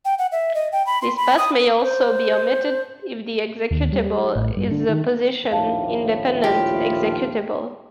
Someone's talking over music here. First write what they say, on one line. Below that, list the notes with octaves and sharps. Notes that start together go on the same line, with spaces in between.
This pass may also be omitted if the executable is a position independent executable.
G5
F#5
E5
D#5
G5
B5
C6
B5
D#6
C5
D#2
G3
A1
G2
D3
D#3
A#1 D#2 A2 F5 A5
F4 G4